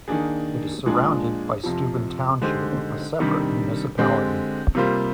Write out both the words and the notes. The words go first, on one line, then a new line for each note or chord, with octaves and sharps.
It is surrounded by Steuben Township, a separate municipality.
D#3 A#3 D4 G#4
A#2 F3 G#3 D4 G#4
F2 C3 F3
D3 G#3 D#4 G4 C5
C3 D#3 G3 D4
D3 G#3 C4 G4
C3 G3 A#3 F4 C5